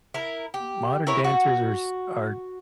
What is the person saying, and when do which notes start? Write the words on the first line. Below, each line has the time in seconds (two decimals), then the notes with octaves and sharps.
modern dancers are s are
0.14 E4 A#4
0.54 G4
1.07 E4 A#4 B4 C#5
1.24 F#4